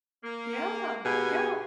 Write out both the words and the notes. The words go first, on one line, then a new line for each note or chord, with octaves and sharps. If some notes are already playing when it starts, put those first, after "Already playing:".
Yeah, yeah.
A#3
B2 A#3 D#4 G4 G#4 G#5 B5